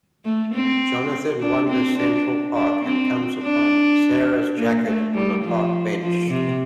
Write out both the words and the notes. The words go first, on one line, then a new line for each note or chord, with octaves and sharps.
Jonathan wanders Central Park, and comes upon Sara's jacket on a park bench.
A3
C4
D4
C4
D4
D4
C4
D4
A#3
A3
G3
F3
F3
C3